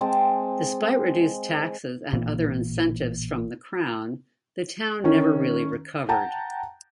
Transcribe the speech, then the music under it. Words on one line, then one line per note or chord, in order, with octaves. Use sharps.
Despite reduced taxes and other incentives from the Crown, the town never really recovered.
G#3 C4 G5 A5
A1 A#2 E3 A#3
D#3 C#4
F#5 G5 A5 A#5